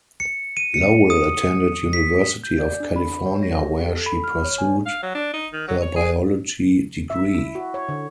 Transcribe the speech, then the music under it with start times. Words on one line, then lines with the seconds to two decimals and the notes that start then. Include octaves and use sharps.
Lowell attended University of California where she pursued her Biology degree.
0.20 C#7
0.57 D#7
0.74 C#7
1.10 D#6
1.93 B6
2.44 G6
2.59 D5
2.80 D4
2.96 B5
3.26 C#5
3.43 A#6
3.60 G4
3.85 A4
4.06 B5
4.24 F6
4.44 C#5
4.58 G#5
4.86 F5
5.03 F#3
5.15 D4
5.33 D#4
5.53 D#3
5.68 F#3
5.81 C#5
5.96 G#4
7.10 E5
7.38 E4
7.55 F#4
7.74 C#5
7.89 D3